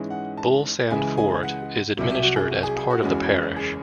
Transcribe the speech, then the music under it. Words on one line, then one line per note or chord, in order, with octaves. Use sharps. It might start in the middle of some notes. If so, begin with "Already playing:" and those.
Bull Sand Fort is administered as part of the parish.
Already playing: G#2 E3 G#3 C#4
F#5
A5
C#2 C#3 E3 G#3 G#5
G#5
F#5
C2 C3 F#3
E5
F#4
G#4
F#4
G#4
G#4
F#4
F#1 E2 C#3 G#3 C#4
G#4